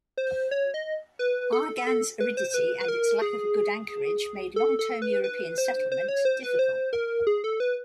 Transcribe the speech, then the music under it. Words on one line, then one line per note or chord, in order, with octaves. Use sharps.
Arguin's aridity and its lack of a good anchorage made long-term European settlement difficult.
C5
C#5
D#5
B4
A4
A4
B4
C5
B4
B4
A#4
G#4
A4
A4
B4
B4
C5
C5
C#5
C5
B4
C5
A#4
G#4
A4
B4